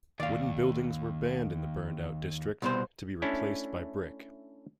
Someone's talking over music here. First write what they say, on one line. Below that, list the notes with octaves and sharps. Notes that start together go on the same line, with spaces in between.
Wooden buildings were banned in the burned out district, to be replaced by brick.
D#2 D5 F5
C2 B2 C5
A3 C#4 D4 E4